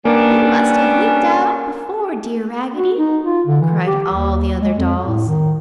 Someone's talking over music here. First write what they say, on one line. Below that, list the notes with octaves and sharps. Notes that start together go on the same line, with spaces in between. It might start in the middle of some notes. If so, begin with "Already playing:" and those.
"They must have leaked out before, dear Raggedy!" cried all the other dolls.
G3 A#3 B3 C#4 D4
F#4
D#4
F4
D3
E3
G4
D#2
G#3
F2
A2
D#3